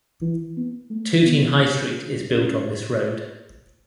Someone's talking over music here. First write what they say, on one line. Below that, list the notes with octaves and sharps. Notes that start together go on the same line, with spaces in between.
Tooting High Street is built on this road.
E3
B3
A3
B3
C#4